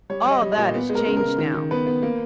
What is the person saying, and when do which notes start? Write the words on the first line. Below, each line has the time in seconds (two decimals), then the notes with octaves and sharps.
All that is changed now.
0.10 G3 C#5
0.26 G3
0.31 D#5
0.42 G3
0.52 D#5
0.57 A#2
0.74 B3
0.89 G#3
0.95 A#4
1.06 C#3
1.17 A#4
1.22 C#3
1.38 D#3
1.54 D#3
1.71 B3 B4
1.87 B3
2.02 A#3